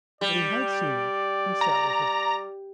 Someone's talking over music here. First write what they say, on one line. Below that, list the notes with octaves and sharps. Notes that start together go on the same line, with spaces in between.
But he had seen her, and sat with her.
G3 D5
A#5